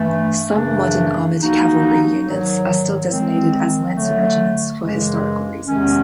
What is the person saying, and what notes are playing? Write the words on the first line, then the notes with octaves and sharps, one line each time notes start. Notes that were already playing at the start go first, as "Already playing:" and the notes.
Some modern armored cavalry units are still designated as lancer regiments for historical reasons.
Already playing: G2 E3 A3
F#2 C#3 E3 A3 D4
F3 A#3 D#4 F#4
G#2 D#3 F#3
D#3 G#3 C4
D3 F#3 A3
F#2 C#3 E3 G#3
E2 C3 D#3 G#3 C#4